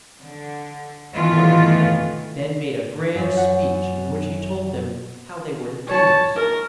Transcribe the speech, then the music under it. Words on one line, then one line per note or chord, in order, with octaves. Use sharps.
One of the men then made a grand speech in which he told them how they were to dance.
D3
D#3 E3 A3 B3 F4
F#2
F#5
C#5 A5
A#4